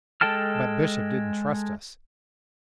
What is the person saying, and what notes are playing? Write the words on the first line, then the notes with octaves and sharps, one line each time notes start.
But Bishop didn't trust us.
G#3 A4 G5 A5 F6